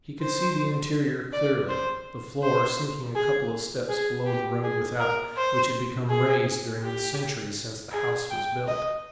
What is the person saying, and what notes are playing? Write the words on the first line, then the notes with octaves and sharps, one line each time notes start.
He could see the interior clearly--the floor sinking a couple of steps below the road without, which had become raised during the centuries since the house was built.
C5
D5
C5
C5
G#4
G#4
G4
G#4
A#4
C5
G#4
G4
G#4
G5
D#5